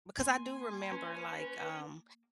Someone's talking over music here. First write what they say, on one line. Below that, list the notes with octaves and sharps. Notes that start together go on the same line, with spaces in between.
because I do remember, like, um,
A#3 G#5 C6
C#4 B4